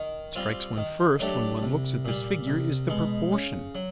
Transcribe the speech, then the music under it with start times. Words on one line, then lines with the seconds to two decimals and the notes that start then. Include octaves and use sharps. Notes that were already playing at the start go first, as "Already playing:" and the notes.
What strikes one first when one looks at this figure is the proportion.
Already playing: D#3
0.36 G3 C4 F4
0.77 D#3
1.20 F#3 A3 D4 G4
1.63 C2
2.05 A#2 G3
2.47 C2
2.89 B2 G#3
3.32 C#3
3.75 F#3